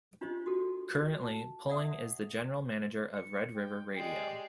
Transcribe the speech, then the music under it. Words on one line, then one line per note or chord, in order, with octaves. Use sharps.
Currently, Poling is the general manager of Red River Radio.
D4 F4 G4 C5 D#5
F#4 G4 A4
A5
D5 E5 F#5 D#6
C#7
G5
G#3 G4 D5 G5 G#5 C7